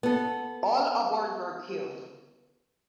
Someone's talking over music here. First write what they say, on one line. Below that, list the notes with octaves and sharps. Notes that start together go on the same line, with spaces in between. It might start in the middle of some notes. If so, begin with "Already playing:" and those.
All aboard were killed.
B3 A4